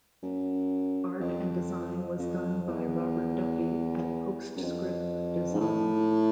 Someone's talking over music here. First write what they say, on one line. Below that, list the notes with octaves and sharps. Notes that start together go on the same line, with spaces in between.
Art and design was done by Robert Duffy at PostScript Design.
F#2
F2
F2
E2
F#2
F2
G#2
A2